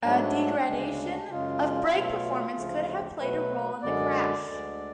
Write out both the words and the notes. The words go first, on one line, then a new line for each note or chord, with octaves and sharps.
A degradation of brake performance could have played a role in the crash.
G#2 F#3 A3 D4
D2 C#3 G#3
F#2 C#3 G#3 F4
B2 F#3 A3
D2 C#3 F3 A3
B2 F#3 A3 B4
F#2 D3 G#3 D5
D2 D3 G#3